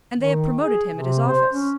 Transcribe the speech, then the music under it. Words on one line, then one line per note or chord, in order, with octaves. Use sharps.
"And they have promoted him at his office."
D#3
G#4
C3
C5
C#4